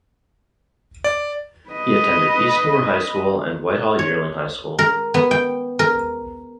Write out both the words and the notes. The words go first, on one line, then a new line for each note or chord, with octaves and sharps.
He attended Eastmoor High School and Whitehall-Yearling High School.
D5
B4 D#5
C#5
A#4
B3
G5
A#4